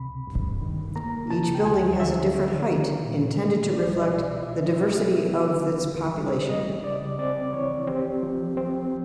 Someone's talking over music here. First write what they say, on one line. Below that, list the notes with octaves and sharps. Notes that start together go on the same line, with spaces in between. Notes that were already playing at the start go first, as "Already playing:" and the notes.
Each building has a different height, intended to reflect the diversity of its population.
Already playing: C#2 C3 B5
G2
D#3
A#3 A#5
C#3 A5
G5
D2 G#5
D3 E5
C#4
D#3
A#2
G3
C2 D5
D#5
B2
E5
E4 E5
F#3 E5
B3
D3
E4
G3
G3 D#5
C#3 D5
C4 D5
E3 C#5
C4 G4
F3
C4